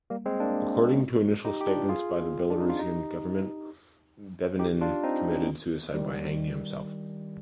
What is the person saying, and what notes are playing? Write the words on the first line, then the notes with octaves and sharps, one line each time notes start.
According to initial statements by the Belarusian government, Bebenin committed suicide by hanging himself.
G3 A#3
G#3 C4
A#3 D4
D#4 G4
G4
D4 F4
F4 G#4
C4
D4
D#4
F4
D#4 G4
D#4 G4
D4 F4
C4 D#4
D#3 G3